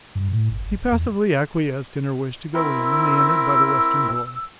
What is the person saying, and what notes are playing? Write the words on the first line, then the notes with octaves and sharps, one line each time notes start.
He passively acquiesced in her wish to go in, and they entered by the western door.
G2
A2
G1
G#1
F1
E2
C4 E4 A#4 E6